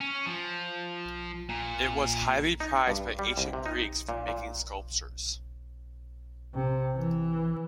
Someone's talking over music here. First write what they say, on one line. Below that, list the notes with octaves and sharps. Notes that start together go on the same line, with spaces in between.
It was highly prized by ancient Greeks for making sculptures.
C#4
F3
A#2
D#4
G2
G3
C2
C3
D#4
A#2
A#2
C3
E3